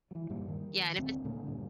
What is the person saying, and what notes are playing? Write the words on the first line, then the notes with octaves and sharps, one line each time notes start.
Yeah, and if it's
E3 F#3
D#1 G2 A#2 G3
D#3
D#1 D2 C4
A#2 D3 A3
D2 G2 A#2